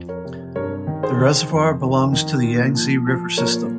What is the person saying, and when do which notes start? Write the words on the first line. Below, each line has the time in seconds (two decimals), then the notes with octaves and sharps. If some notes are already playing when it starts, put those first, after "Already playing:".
The Reservoir belongs to the Yangtze River system.
Already playing: F2
0.09 A#4 C#5
0.25 C3
0.56 G2 A#4 C#5
0.87 D#3
1.03 G#4 C5
1.18 D#3
1.50 F2
1.81 D#3
2.13 D#3
2.43 A#2
2.75 F3
3.07 F3
3.37 A#2 A#4 C#5